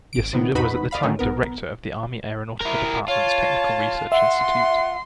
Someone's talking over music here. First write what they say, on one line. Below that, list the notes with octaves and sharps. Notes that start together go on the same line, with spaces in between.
Yasuda was at the time director of the Army Aeronautical Department's Technical Research Institute.
G#1 D7
C3 D#3 B3
E2 G#2 D#4 F#4 B4 B5
D5 D#5 F5 B5
D3 D#3 F#3 A3 C#4 D#4
B1 B3 A#4
E4 A#4
F4 C#5 A5
E5 F#5 C6